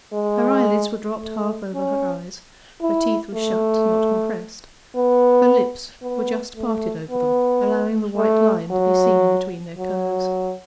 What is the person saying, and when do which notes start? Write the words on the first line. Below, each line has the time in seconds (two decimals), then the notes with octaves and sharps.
Her eyelids were dropped half over her eyes; her teeth were shut, not compressed; her lips were just parted over them, allowing the white line to be seen between their curve.
0.13 G#3
1.21 A3
1.74 C#4
2.82 E4
3.34 A3
4.96 B3
6.02 B3
6.56 A3
7.11 B3
8.17 A3
8.72 F#3
9.78 F#3